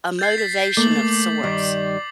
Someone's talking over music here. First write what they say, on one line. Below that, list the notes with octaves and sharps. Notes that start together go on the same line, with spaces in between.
a motivation of sorts,
G6 A6 C7
A6 B6
A3 A#3 D6 F#7
G2 D#3 G3